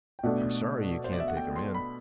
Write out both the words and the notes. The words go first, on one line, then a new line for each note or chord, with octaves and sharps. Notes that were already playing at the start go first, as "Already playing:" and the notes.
I'm sorry you can't take him in.
G5
B2 A3 D4 F#5
C5
D5
E5
F#5
G5
C6
B5